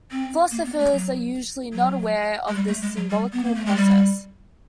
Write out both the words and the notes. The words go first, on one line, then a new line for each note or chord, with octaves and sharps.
Philosophers are usually not aware of this symbolical process.
C4
A#3
B3
A3
F#3
F#3
G#3
G3
A3
G#3
F#3
G3
B3
A#3
A3
G#3
G3